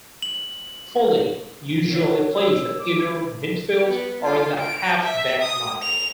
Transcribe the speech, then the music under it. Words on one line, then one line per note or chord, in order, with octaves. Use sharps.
Foley usually plays at either midfield or in the half-back line.
F#7
F#4 A#4 C#5
E6
D6
B3
F4
D7
E5
D#6
F7